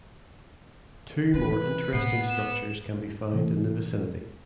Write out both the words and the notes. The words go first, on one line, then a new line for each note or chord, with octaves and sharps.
Two more interesting structures can be found in the vicinity.
E3 B4
A2 B3 C7
E7
C3 E3 A3